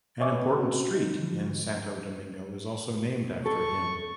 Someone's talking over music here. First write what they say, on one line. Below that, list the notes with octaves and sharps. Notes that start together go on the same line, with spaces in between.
An important street in Santo Domingo is also named after him.
C#5 D#5 E5 G#5 C#6 D6
B4
C4 C#4 F#4
D#4
D3 F3
A4 C#6